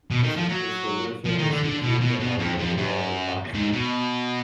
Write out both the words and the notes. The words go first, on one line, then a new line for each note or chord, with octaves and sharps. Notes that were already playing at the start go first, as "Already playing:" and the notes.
A simple solution is to keep the height of the water constant.
B2
D#3
F3
F#3
F3
D#3
D3
D3
B2
B2
B2
F2
F2
F#2
G#2
B2